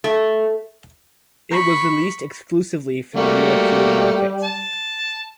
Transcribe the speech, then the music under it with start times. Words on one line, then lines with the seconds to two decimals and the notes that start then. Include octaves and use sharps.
It was released exclusively for the European market.
0.04 A3
1.51 B5 C#6
3.16 G3 A3 A#3 F#4
4.43 A5